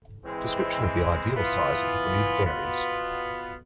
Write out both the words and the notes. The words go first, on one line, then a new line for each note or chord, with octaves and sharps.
Description of the ideal size of the breed varies.
E3 G#3 C4
E3 B3 F4
B2 B3 F4